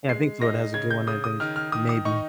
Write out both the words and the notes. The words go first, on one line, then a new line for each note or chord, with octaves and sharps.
Yeah, I think Florida has a good one, I think, maybe.
G#3 C7
D#4 A#6
C#3 G#6
G6
C#3 D#6
D#6
D#3 F6
F6
D#3 D#6
D#6
D#4 C#6